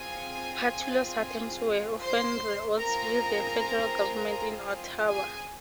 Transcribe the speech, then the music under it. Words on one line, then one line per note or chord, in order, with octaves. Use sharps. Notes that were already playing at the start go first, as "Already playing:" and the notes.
Pattullo's attempts were often at odds with the federal government in Ottawa.
Already playing: C4 F4 G#4 G#5
C5 C6
C4 F4 G#4 A#4 A#5
G#4 G#5